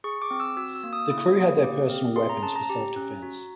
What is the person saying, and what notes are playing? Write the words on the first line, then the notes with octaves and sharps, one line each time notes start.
The crew had their personal weapons for self-defense.
G#4 C#6
D6
C4
E6
F#4 E6
E6
A#3
D#6
E4
A#3
G4
C4
G#4 C6
A#5
C#4 A5
A#5
G4
C#4
F#4